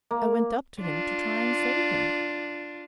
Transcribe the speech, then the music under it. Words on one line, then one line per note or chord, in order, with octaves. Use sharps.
I went up to him to try and save him.
A#3
D4 F4